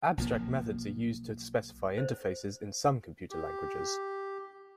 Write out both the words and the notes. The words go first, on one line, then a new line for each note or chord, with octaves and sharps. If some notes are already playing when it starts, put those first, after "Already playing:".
Abstract methods are used to specify interfaces in some computer languages.
B1 F3 A#3
C5
G4